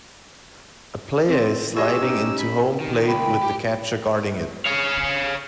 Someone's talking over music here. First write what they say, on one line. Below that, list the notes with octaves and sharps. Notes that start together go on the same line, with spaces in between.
A player is sliding into home plate with the catcher guarding it.
C4
F4 G4 G#4 C#5 D#5 E6
C#4 D#4
B5
D#3
C#2 G5 B5
G4
C#5 F5